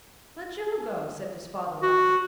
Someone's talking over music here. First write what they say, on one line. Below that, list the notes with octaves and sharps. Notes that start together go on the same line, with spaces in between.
"Let Joe go," said-his father, laughing.
F#4